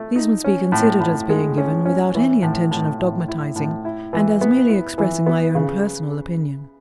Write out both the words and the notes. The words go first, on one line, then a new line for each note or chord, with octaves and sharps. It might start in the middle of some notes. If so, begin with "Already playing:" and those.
These must be considered as being given without any intention of dogmatizing, and as merely expressing my own personal opinion.
Already playing: A3
D#4
C#4
A2
A2
G#3
C#4
C#4
E3
A2
A2
A2
E4
A2
E4
E3
B3
E4
E3
B3
C#3